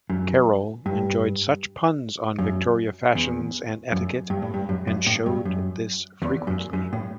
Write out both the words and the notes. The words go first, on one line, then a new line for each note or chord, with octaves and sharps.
Carroll enjoyed such puns on Victorian fashions and etiquette, and showed this frequently.
F#2
G2
F#2
E2
F#2
G2
A2
G2
F#2
F#2
A2
G2
F#2
E2
F#2
F#2
A2